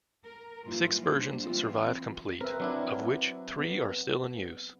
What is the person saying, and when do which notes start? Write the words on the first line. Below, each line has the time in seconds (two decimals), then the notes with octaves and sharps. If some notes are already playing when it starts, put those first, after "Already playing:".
Six versions survive complete, of which three are still in use.
0.25 A#4
0.65 G2 A#2 E3 F4
0.99 F#3 G3 A#3 D4 C5
1.41 E3 B3 C4 F4
2.41 C4 A#4 B4 E5
2.60 F#3 D4 E4
3.58 B3